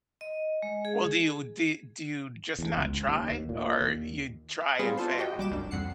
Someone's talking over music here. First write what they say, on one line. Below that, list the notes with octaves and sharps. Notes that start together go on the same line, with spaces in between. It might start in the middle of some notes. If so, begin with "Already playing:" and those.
Well, do you d do you just not try or you try and fail?
D#5
G#3
G#4
E2
C#2
D#2
D#2
A#2
D#2
G3 B3 C4 F4 G#4 B4
D4 F4 A4 C5
F#4 G4 D#5 G5
A#1 G3 D6 E7
G1 C2 F#2 D4
C2 F2 F#5 C7 C#7